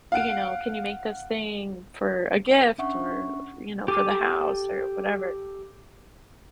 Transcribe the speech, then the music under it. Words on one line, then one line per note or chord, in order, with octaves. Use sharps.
you know? Can you make this thing for a gift or, f you know, for the house or whatever."
F5 F#5 D7
C#4 D4 E5 F#5 C#6
G4 A4 G#5 D6